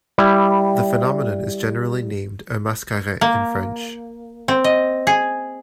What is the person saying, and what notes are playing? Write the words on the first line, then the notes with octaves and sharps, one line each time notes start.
The phenomenon is generally named "un mascaret" in French.
G3 E4
A#3
C4
D#5
G#4